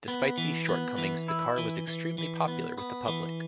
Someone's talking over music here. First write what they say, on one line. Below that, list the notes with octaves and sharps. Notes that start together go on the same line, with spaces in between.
Despite these shortcomings the car was extremely popular with the public.
B3
E3
B3
E3
E4
E3
E3
E3
B3
B3
E3